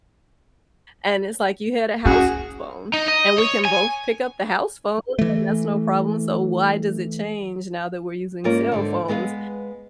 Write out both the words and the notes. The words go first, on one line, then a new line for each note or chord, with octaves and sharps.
and it's, like, you had a house phone, and we can both pick up the house phone, and that's no problem, so, why does it change now that we're using cell phones?
C#4 F#4 G#4
D#4
D#5
C#5
G#5
E3 A3
G#2 A#3 C#4 F4 A#4
G#2 D3
G#3 B3 G#4 F5